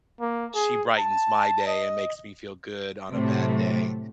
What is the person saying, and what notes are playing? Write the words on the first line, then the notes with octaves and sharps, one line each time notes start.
she brightens my day and makes me feel good on a bad day,
A#3
G#4
A5
D#5
A2 C3 F#3 A3